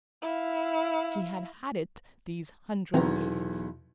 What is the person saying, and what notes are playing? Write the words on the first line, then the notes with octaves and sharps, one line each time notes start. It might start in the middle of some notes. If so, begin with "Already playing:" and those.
She had had it these hundred years.
E4 F5
B1 E2 E3 C4 A#5